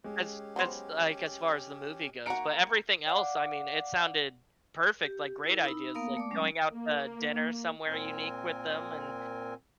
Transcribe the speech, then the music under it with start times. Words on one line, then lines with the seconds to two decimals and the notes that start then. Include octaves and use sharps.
as as, like, as far as the movie goes, but everything else, I mean, it sounded perfect, like great ideas, like going out to dinner somewhere unique with them and,
0.04 G#3 C#4 G4
0.56 F#3 B3 C5
2.26 A#3 D#4 F#4 A#5 C#7 D7
3.07 D5 F5 F#5 D6
5.03 G4
5.44 E4 A#4
5.66 D#4 B5 E6
5.95 A#3 B3 A#4 F5 D#6
6.17 A3 D5 D6
6.31 F#3 G#3 C#4
6.73 A#3
7.86 A#2 C4 A#4 G#5